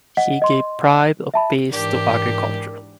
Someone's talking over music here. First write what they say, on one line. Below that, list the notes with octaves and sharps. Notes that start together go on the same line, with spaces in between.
He gave pride of pace to agriculture.
D#5 F#5
D#5 C6
E5 A5 B5
G#2 E3 D4 G4 A#4